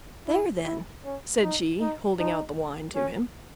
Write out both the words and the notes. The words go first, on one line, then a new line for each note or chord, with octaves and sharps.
"There, then," said she, holding out the wine to him.
E4
E4
C#4
D#4
D#4
D#4
C#4